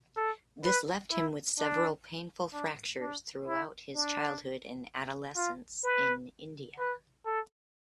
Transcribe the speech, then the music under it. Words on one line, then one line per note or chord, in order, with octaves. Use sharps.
This left him with several painful fractures throughout his childhood and adolescence in India.
A4
B4
E4
D4
D4
D4
E4
D4
F4
B4
B4
A4